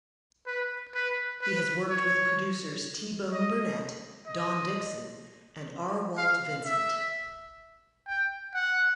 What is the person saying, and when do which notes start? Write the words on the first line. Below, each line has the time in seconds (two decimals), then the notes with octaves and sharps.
He has worked with producers T-Bone Burnett, Don Dixon, and R. Walt Vincent.
0.47 B4
0.95 B4
1.42 B4
1.90 C#5
3.33 D#5
4.27 D#5
6.17 F5
6.65 E5
8.07 G5
8.54 F#5